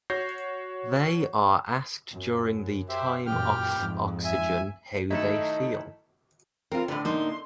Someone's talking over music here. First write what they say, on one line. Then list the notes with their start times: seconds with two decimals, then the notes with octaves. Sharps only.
They are asked during the time off oxygen how they feel.
0.10 F#4 C#5 G6 A#6 C7
2.13 F#2
2.89 G4 C5 E5
3.26 F#2 A#2 E3 G4 G5 F6
3.76 F2 G#2
4.24 E5 G#5
5.11 D#3 F#3 A3 D#4 E4 A4
6.72 C4 F4 A#4
6.88 A2 D3 B4 C5
7.05 A#3 D#4 C6